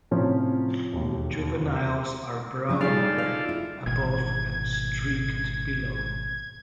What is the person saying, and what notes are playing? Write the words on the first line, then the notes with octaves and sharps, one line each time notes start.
Juveniles are browner above and streaked below.
A2 C3 F3 C#4
E1 D#2
F3 C#4 D4
G3 D4 D#4 F4 G#4 A4 D5 F5
F5
E4
G#1 B2 E3 G#6